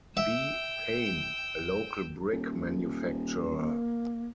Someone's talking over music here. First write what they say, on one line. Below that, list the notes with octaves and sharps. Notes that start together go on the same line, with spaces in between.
B. Paine, a local brick manufacturer.
E5 G5 E6
D#1
A#3